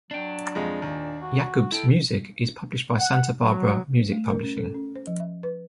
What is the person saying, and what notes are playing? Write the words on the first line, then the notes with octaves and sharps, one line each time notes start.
Yakub's music is published by Santa Barbara Music Publishing.
F#3 D4 G5
F2 G#3
D#2 A#2
F#4
E4 A4 G5
F#5
F#3
A3
A#4
C#4
A4
C#4
C5
F3
E5
B4